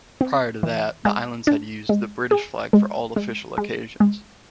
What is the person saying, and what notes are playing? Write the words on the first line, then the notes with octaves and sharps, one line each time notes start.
Prior to that, the Islands had used the British flag for all official occasions.
C4
E3
G#3
D4
G#3
G#4
G#3
G#3
G#3
G#3